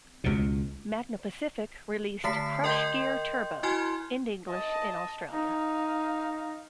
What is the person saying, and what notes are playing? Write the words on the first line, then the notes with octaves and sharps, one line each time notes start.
Magna Pacific released "Crush Gear Turbo" in English in Australia.
C#2 B2
D3 A3 A5 B6 C7
A#4 D#5 G5 C6 G6
E4 F#4 G#5 C6 F6 G#6
D#5 A5
D#4 F5